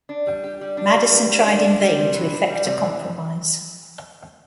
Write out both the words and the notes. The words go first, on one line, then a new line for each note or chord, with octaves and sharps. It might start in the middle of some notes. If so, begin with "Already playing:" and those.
Madison tried in vain to effect a compromise.
D4
G3
G4
G3
D4
G3
G4
G3
D4
D4
G3
C3
E3
D4
G3
C3
E3